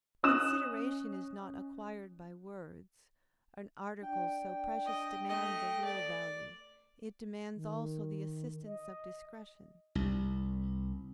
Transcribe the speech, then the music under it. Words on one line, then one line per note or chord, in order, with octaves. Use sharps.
Consideration is not acquired by words; an article so precious demands a real value; it demands also the assistance of discretion.
C#4 D#5 D#6 F#6 E7
D4 G5
D#5
A3 D#5
D5
D#3
D#5
C2